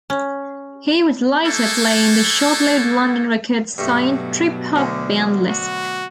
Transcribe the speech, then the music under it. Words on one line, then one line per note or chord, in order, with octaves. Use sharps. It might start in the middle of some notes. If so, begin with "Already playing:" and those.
He would later play in the short-lived London Records-signed trip hop band Lisp.
C#4
A3 A#3 G#4 A4
G2 B2 F#3 A3
D2 D3
F#4